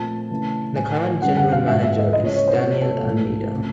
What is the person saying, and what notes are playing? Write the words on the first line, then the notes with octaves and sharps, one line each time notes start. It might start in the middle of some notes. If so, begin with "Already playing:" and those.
The current general manager is Daniel Almeida.
Already playing: A#2 F3 A3 C4 A5
C#3 E3 A3
A2 E3 A3 G#5
F#2 D3 G3 B3 F#5
F#5
F5
G#2 F3 G#3 B3 E5
E5
D#5
C#3 E3 G#3 D#5
C#5
C#5
C5
C3 F3 A#3 C#5
A4
G#2 E3 A3
C#3 F3 A3 C4